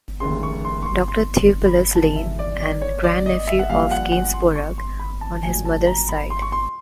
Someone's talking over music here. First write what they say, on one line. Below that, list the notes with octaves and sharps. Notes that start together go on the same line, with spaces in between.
Doctor Theopilus Lane, and grandnephew of Gainsborough on his mother's side.
F1 D#2 C#3 C6
C#6
C6
C#6
C6
C6
C6
B5
E1 E2 C3 D#3 A5
E5
D5
D5
C#5
D5
D#5
E5
F#5
A#1 A#2 G3 F5
F#5
F#5
C6
C#6
C6
B5
A5
A#1 A2 F#3 G#5
A5
A#5
B5
C6
C#6
C6